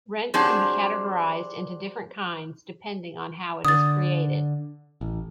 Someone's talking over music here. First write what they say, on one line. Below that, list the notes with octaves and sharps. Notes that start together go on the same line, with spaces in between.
Rent can be categorised into different kinds depending on how it is created.
F#3 C4 D4 G4 G#4
D3 D#6 A6
A1